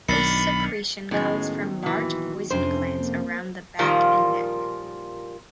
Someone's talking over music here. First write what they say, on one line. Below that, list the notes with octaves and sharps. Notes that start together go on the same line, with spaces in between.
This secretion comes from large poison glands around the back and neck.
B1 D#3 D4 B5 A6 C7 C#7
A2 D#3 F#3 G#3 B3 C#4
A#2 E3 F#4
F2 C3 C#4 D4 C5
A#3
A#2 D#3 F3 G3 A#3